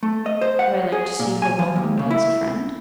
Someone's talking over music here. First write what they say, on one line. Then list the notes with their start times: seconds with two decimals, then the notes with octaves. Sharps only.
Would I like to see her welcome me as a friend?
0.03 A3
0.26 D#5
0.41 C5
0.59 F#5
0.92 G#4
1.19 A#2
1.42 G#5
1.59 F3
1.76 D#2
1.99 C#3
2.11 E4